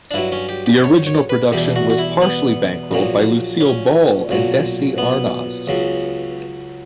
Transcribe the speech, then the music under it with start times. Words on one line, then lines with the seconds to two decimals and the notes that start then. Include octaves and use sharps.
The original production was partially bankrolled by Lucille Ball and Desi Arnaz.
0.11 D4
0.14 G2 F#3 E4
0.32 C#4
0.49 G4
0.66 G4
0.84 C#5
1.07 C#5
1.30 B4
1.52 E2 B2 G3 G4
1.76 F#4
1.90 F#4
1.98 E4
2.22 B3
2.91 A#1 A#2 F#3
3.61 C#4
4.29 B1 A#2 F#3
4.98 B3
5.67 C#2 C#3 F#3